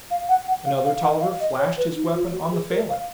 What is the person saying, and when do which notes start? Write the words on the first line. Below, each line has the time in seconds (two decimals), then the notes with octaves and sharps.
Another Tolliver flashed his weapon on the Falin.
0.11 F5
0.29 F#5
0.47 F#5
0.66 F5
0.85 F5
1.03 F#5
1.18 D#5
1.22 F5
1.40 D#5
1.59 C#5
1.77 B4
1.96 D#4
2.15 F4
2.33 F#4
2.52 G#4
2.71 A#4
2.89 F5